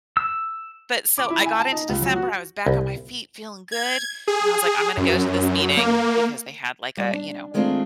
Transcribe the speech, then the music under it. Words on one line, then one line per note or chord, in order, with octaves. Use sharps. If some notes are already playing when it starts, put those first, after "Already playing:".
But so I got into December, I was back on my feet feeling good. And I was like, "I'm gonna go to this meeting." Because they had like a, you know,
E6
D6
E4
G#5
A5
D#4
C#2
F#3
F#4
C2
G#6
G#4
F#2
A#3
G3 D5
D4
D#3 G#3 A3 C4 D4 F4